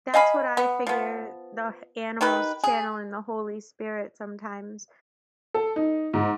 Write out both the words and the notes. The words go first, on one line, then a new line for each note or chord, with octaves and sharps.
That's what I figure, the animals channeling the Holy Spirit sometimes.
D#5 F5 G#5 B5
B3
F3 B3
D#3 D#4 G4 B4
G#4
A4
D#4
G#2